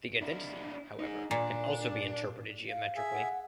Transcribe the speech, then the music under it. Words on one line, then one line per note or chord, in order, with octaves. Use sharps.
The identity however can also be interpreted geometrically.
D4 E4
D#4 G#4
A#2 D4
F5
G#4 E5
F#5